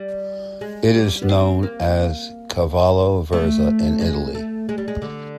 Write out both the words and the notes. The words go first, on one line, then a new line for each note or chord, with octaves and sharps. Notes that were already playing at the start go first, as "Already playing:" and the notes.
It is known as 'cavolo verza' in Italy.
Already playing: G3
G#3
G3
B3
C4
A#3
A3
G#3
A3
G#3
G3
G#3
D3